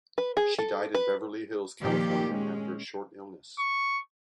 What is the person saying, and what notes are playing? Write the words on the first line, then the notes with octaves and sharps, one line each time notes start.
She died in Beverly Hills, California after a short illness.
B4
G#4
A4
B4
A#2 D#3 F3 G4
G#3 C#4
C#6